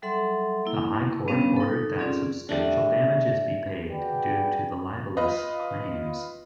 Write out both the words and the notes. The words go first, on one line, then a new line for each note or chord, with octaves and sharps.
The High Court ordered that substantial damages be paid due to the libellous claims.
F#3 G3 A4 E5 F#5 C6
A#3 E4
G3 B3 C#4 D4 C#5 F5
D#4 A4
C4 C#4 F4 G#4 D5
G3 A3 D4
F#4 G#4 B4 D5 G5
F4 B4 D#5